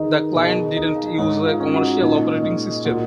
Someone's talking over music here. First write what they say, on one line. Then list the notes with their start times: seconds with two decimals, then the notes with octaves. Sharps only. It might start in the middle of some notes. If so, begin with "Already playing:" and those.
The client didn't use a commercial operating system.
Already playing: D#3 D#4 G#4 A#4 B4
0.34 B2 A#4
0.41 G#4
0.56 G#4
0.76 D#4
0.95 F5
1.06 D#5
1.18 G#2 C#5
1.46 F4 F5
1.60 C#4
1.74 F#4 F#5
2.01 A#2 D#4 D#5
2.43 G#3
2.85 A#2 F#4 F#5